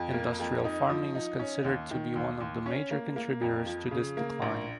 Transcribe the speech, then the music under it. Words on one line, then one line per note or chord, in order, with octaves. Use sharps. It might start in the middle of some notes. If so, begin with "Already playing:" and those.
Industrial farming is considered to be one of the major contributors to this decline.
Already playing: F2
A#3
F2
D#4
F3
D#4
C#4
D#2
D#3
D#2
D#2
C#4
A#3
A#3
F2
F3
C#3
A#3
A#1